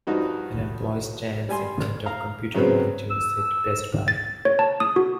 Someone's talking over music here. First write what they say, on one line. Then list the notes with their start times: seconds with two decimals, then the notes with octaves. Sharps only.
An employee stands in front of computer monitors at Best Buy.
0.07 G2 F3 D#4 F#4
1.49 G3 G#5 C6
2.06 F5 A#5
2.54 C#3 F#3 G#3 B3 C4
3.11 E6
4.08 A6
4.45 C#5
4.59 A5
4.80 D#6
4.96 F#4